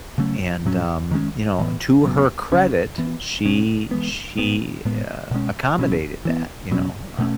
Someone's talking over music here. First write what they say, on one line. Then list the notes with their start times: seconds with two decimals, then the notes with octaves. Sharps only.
And, um, you know, to her credit, she she a accommodated that, you know, uh,
0.18 C#3 F#3 A3 C#4
0.65 A2 F#3 C#4
1.11 D#3 G#3 C#4
1.58 A2 E3 B3
2.05 C#3 F#3 B3
2.52 C#3 F#3 C#4
2.98 E3 B3
3.45 B2 G#3 C#4
3.91 E3 G#3 B3
4.38 A2 G#3 B3
4.85 A2 G#3 B3
5.31 B2 G#3 C#4
5.79 B2 F#3 C#4
6.25 E3 B3
6.71 B2 F#3 A3 C#4
7.19 B2 A3 C#4